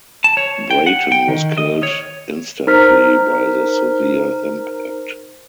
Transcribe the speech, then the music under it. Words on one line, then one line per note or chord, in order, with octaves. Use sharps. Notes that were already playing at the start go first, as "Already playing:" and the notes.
Brayton was killed instantly by the severe impact.
A5
C#5
G5
F#5
G5
D#3
D#5
C#5
D#4 A#4 C5 A#5 F6 B6